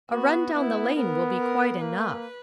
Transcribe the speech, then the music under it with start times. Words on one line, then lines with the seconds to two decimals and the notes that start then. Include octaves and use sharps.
"A run down the lane will be quite enough."
0.11 B3 F#4
0.54 B3 E4
0.96 B3 A#4
1.39 A#4
1.81 A#3 B4